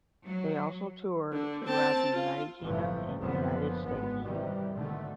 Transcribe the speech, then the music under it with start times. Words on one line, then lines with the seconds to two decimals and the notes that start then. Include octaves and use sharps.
They also toured throughout the United Kingdom and United States.
0.24 F#3
1.33 D3
1.65 C4 A5
2.13 F4
2.61 G1 A2 C3 E3 F3 A3
3.18 F#1 F#2 D3 F3 B3
3.83 G#1 G#3 B3
4.23 C3 D#3 E3 G3
4.73 G#1 B2 D3 D#3 A3